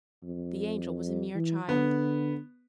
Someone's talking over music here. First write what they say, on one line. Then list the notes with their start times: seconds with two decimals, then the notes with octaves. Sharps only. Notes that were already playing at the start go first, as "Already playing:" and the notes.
The Angel was a mere child.
0.23 F2
1.35 E3
1.69 D3 B3